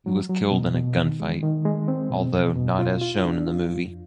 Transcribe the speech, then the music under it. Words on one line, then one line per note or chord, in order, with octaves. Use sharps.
He was killed in a gunfight, although not as shown in the movie.
F#3
F#3
B2
B2
D#3
G#3
D#3
G#3
C4
B2
E2
B2
F4
F4
D4
F4
F2